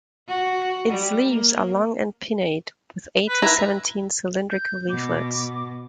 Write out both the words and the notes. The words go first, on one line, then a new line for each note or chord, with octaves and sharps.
Its leaves are long and pinnate with eight to seventeen cylindrical leaflets.
F#4
G3
A#3
B4
E4 B4 A#5
G6
B2 D6